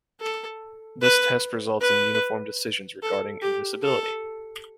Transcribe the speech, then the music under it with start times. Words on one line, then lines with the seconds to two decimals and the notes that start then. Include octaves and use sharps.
This test results in uniform decisions regarding admissibility.
0.21 A4
1.01 B4
1.81 B4
3.02 A4
3.42 G4
3.83 A4